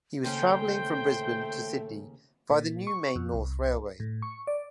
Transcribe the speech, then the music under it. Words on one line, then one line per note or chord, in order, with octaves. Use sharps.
He was travelling from Brisbane to Sydney, via the new Main North railway.
D#2 C#3 A3 C#4 C5 G5
A#2
C#6
F2
C2
A2
C#6
D5